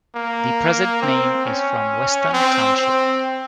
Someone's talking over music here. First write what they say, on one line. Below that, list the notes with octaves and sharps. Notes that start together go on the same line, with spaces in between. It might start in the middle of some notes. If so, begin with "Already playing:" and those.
The present name is from Weston Township.
A#3
C4
C#4
C4
C4